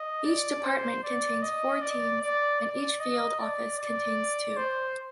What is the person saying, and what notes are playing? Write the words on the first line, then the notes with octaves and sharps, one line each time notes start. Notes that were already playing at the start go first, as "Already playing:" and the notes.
Each department contains four teams and each field office contains two.
Already playing: D#5
D5
C5
D5
D#5
D5
D5
D5
D#5
D5
D5
C5